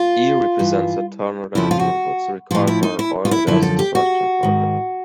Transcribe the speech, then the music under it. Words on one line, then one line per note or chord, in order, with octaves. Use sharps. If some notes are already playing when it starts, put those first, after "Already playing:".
E represents external energy inputs required for an oil and gas extraction project.
Already playing: F4
G2 E3
F2 C#3 F3 E4
F4
F#4
A2 F3 F4
E4
D#4
E4
F4
E4
F#2 D3 F3 E4
A4
G4
F#4
G#2 D#3